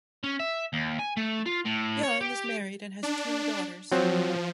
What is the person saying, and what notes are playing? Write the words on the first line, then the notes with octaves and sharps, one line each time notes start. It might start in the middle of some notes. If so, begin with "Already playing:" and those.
Young is married and has two daughters.
C#4
E5
D#2
G#5
A3
F4
A2
C#5
G4
D4
F3 F#3 C4